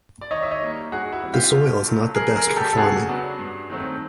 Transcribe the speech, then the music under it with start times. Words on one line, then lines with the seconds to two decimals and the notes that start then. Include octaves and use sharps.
The soil is not the best for farming.
0.21 D5
0.31 D#3 C#5 D#5
0.43 E5
0.51 C#5 D#5
0.62 G3 A#3 D#4
0.92 G2 F#4 G#4
1.12 E4 F#4
1.23 E3 G3 C4
1.34 F4 G4
1.54 B2
1.84 F#3 A3 D4
2.15 F2 G#4 A#4
2.36 G#4 A#4
2.46 D3 G3
2.56 G4 A4
2.73 A4
2.77 C#3 F#4 G#4
3.08 F#3 B3 D4
3.39 G2
3.70 D#3 F#3 A3 C4